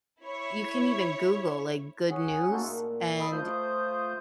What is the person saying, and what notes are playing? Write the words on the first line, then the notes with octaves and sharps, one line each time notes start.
you can even Google, like, "good news", and
E4 C#5
C#4 G#4 F#5
A3 A#3 D#4 F4 F#4 A4
A#2
A4 D#5 B5
A3 F4 C5 D#6 G6